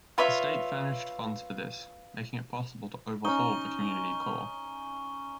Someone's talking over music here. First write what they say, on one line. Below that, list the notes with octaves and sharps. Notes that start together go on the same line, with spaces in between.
The state furnished funds for this, making it possible to overhaul the community core.
F4 B4 C#5 E5
C#4 D#4 C#6 G7